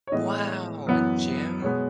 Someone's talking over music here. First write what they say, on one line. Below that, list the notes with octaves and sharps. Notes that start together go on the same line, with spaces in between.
Wow. A gym?
C#5
A2 E3 G#3 B3 D#5
F#2 E3 B3
B2 G#3 B3 C#5